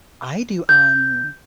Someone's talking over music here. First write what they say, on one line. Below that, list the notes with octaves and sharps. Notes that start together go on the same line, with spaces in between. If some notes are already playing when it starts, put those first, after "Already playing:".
I do, um
G6